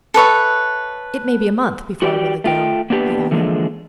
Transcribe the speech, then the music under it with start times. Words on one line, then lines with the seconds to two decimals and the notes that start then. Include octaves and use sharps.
"It may be a month before I really go," he added.
0.14 A4 B4 C#5 E5
2.02 F#4 G4 D5 E5 G5
2.44 A3 F4 G5
2.90 A#3 B3 D4 G4 B4
3.31 D3 E3 F3 G#3 A#3